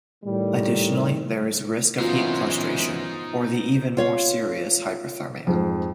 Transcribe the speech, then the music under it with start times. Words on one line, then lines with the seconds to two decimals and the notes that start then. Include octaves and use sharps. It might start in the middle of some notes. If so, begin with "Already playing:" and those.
Additionally, there is risk of heat prostration or the even more serious hyperthermia.
0.24 A2 D#3 G3
2.00 F#2 E3 B3 D#4 F4 F#4 C5
3.97 F4 C#5 F5
5.47 F2 G#2